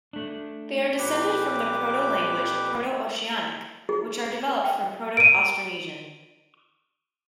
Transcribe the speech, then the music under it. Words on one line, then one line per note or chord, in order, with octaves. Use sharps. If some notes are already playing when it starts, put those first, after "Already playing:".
They are descended from the protolanguage Proto-Oceanic, which are developed from Proto-Austronesian.
A3 D4
F2 A#2 G4 B4 D6
G#4
G5
D7 D#7